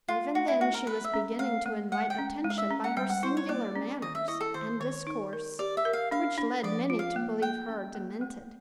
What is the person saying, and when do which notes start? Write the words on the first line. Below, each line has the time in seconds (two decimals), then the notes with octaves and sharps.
Even then she was beginning to invite attention by her singular manners and discourse, which led many to believe her demented.
0.08 A3 F4
0.35 A3 F#4
0.48 E4
0.61 A3 F#4
0.74 A#4
0.87 A3 B4
1.04 E5
1.14 C#4
1.39 A3 F5
1.66 A3
1.92 G#3 F#5
2.10 G5
2.18 C#4
2.44 G#3
2.50 F5
2.58 E5
2.71 C#4
2.84 F#5
2.97 G3 G5
3.09 F#5
3.23 E4 C5
3.37 C#5
3.49 A#3 D5
3.75 C#4
4.02 D#3 D#5
4.15 E5
4.28 E4 D#5
4.40 A4
4.54 D#3 C5
4.80 D#3 C#5
5.07 D#4
5.33 A#4
5.59 G4 D5
5.77 E5
5.85 A#4
5.93 F5
6.11 D4 F5
6.38 D4
6.64 F3 D5
6.90 F4
6.99 F5
7.16 A#3
7.42 A#3 G5
7.69 C#4
7.95 A#3
8.21 A3